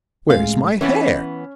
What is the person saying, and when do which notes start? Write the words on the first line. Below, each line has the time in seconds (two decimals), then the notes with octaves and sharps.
Where's my hair?
0.30 A1 G#3 F5
0.81 E3 B3 C#4 B4